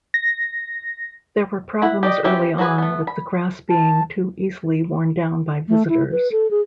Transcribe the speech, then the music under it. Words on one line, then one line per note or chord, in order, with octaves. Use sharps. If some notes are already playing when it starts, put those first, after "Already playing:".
There were problems early-on with the grass being too easily worn down by visitors.
A#6
E4 F#5 B5
G4 D5 D#5
E3 C#4 G4 E5
F#3 F#4 G#4 B4 G#5
A3 B3
B5
A5
A3
E4
B4
A4
G#4